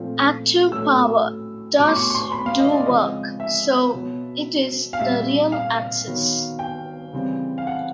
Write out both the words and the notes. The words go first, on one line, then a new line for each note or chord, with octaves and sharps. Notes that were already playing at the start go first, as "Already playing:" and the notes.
Active power does do work, so it is the real axis.
Already playing: A#2 F3 A3 C4
A2 F#3 A3 C#4 E6
A2 F#3 B3 D6
C6
C#6
C#6
C6
B5
F5
D#5
D5
C#3 F3 G#3 C4 D#5
E5
B2 F#3 B3
F5
A#2 G3 C4 E5
F5
D#3 F#3 B3
G5
C#3 E3 G3 C4
F5
F#5